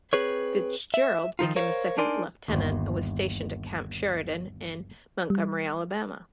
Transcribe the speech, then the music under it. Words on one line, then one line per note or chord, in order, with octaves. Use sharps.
Fitzgerald became a second lieutenant, and was stationed at Camp Sheridan, in Montgomery, Alabama.
C4 G#4 B4 C#5
E5
D#3 F3 D#4 F4
A#4 C5 C#5 F5
D4 D#4 A#4 D5 G#5 C6
G1 D#2
G3